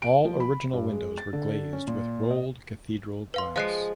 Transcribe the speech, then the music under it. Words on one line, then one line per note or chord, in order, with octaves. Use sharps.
All original windows were glazed with rolled Cathedral glass.
D7
F3
B5
G2
G#3
A6
D3
C#4
A#2
D#5
B4 F5 C6
F3 G#3 F5 F#6 C7